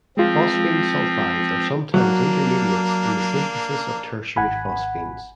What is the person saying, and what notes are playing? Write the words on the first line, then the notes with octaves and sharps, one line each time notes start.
Phosphine sulfides are sometimes intermediates in the synthesis of tertiary phosphines.
F3 G#3 C4 F4
F#3 A#3 D4
G#1 F#5 G#5 B5